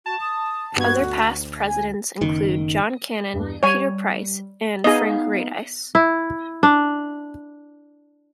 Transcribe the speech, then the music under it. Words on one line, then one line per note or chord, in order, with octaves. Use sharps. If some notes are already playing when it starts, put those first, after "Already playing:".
Other past presidents include John Cannon, Peter Price and Frank Radice.
F#4 A5
D#6
G2 B3 F#4 G#6
D2
G#5
F#1 D#3
E2 G2
G3 C#5 G#5
B3 D#4 G#4 D#5 F5
E4
D4